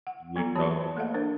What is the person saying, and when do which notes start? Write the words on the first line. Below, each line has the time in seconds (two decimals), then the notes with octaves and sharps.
and Utah.
0.07 F#5
0.36 F#3 B3 F4 A4 A#5
0.56 E3 A#3 F#4 G4 C#5 A5
0.81 C5
0.97 A3 A#3 A4 D#5 F5 F#5
1.14 A#3 D4 A#4 C5